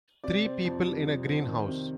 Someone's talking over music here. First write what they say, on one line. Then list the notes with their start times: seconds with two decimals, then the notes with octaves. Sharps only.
Three people in a green house.
0.24 C3 D5
0.45 C4
0.65 F2
0.86 G3
1.07 C3
1.27 C4
1.48 D#3
1.69 C3